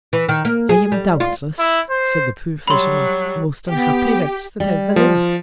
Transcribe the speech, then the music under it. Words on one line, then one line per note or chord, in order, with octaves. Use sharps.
I am, doubtless, said the poor Fisherman, the most unhappy Wretch that ever liv'd!
E3
D#3
A#3
G#4
G3
F4
E4
C5
F#3 G3 B5 C6
B3 G4
G3
F3